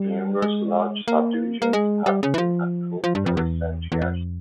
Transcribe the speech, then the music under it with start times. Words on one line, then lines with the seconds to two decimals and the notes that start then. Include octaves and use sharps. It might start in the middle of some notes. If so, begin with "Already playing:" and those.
Numerous large subdivisions have been approved in recent years.
Already playing: G3
0.42 G#3
1.08 A#3
1.62 A#3
1.73 G#3
2.06 G3
2.23 C#3
2.34 E3
2.38 F3
3.04 F3
3.15 G2
3.26 F2
3.37 E2
3.92 E2
4.02 F2